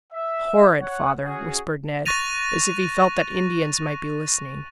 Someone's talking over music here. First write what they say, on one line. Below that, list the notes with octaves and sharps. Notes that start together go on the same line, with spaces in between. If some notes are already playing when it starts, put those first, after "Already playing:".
"Horrid, father," whispered Ned, as if he felt that Indians might be listening.
E5
C#5 F#5
C#4 F#4 G#4
C#6 F#6 A6 A#6 D#7 F7